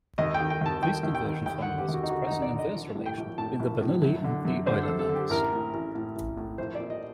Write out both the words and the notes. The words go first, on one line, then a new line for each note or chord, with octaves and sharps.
These conversion formulas express an inverse relation between the Bernoulli and the Euler numbers.
D#2 D#5
G5
D#3
G5
D#2 A5
D#3 G5
D#2
G5
D#3
D#2 G5
F#5
D3
G4
D#2
F#4
D#4
D3 F#4
D#2 D#4
D5
D3
D#5
A#1
A2
G5
A#1
A2 A5
A#1
A2
F#2
D3
F#2
D3 C5
A4
F#2
A4
D3
G4
A1 A#4
A2
A1
A2
A1
A2
A#1 C5
A#2 D5
D#5